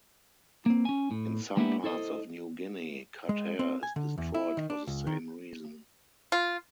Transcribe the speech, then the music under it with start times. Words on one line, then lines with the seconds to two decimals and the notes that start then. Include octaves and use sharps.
In some parts of New Guinea cut hair is destroyed for the same reason.
0.66 A#3 C4
0.85 C#4 G#5
1.11 A2
1.57 G#3 A#3 B3 D4 E4 G4
1.84 E4 A4 C5 D#5
3.29 G#3
3.59 C4
3.83 G#5
3.96 D3
4.18 E2
4.34 E4
4.57 D#3
4.70 D4
4.87 C#2
5.07 D#3
6.32 F4